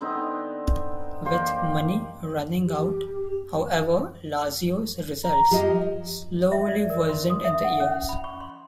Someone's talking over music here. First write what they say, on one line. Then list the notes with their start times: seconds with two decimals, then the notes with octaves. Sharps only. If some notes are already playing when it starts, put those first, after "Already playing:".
With money running out, however, Lazio's results slowly worsened in the years.
0.01 D3 B3 C4 D#4
1.25 A#3 G4 C5
2.66 G4
5.23 A#5
5.51 F3 G4 G#4 D#5
6.52 E5
6.68 D5
6.90 A#4
7.09 C6
7.30 D#6
7.45 E5
7.64 F#5
7.80 C#4
8.09 B5
8.24 C#6
8.40 C6